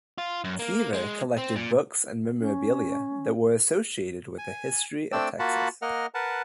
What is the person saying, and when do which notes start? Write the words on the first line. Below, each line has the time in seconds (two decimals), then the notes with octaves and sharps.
Keever collected books and memorabilia that were associated with the history of Texas.
0.18 F4
0.44 F#2
0.59 A#3
0.94 G#3
1.38 C4
1.56 A#2
2.38 C#4
4.38 G#5
5.12 A3 C4 D4 D5 G5 E6
5.39 A#3 F4 F#4 F#5 A5 B5
5.82 A#3 A#4 D#5 F#5 F6
6.14 A#4 B4 F#5 A5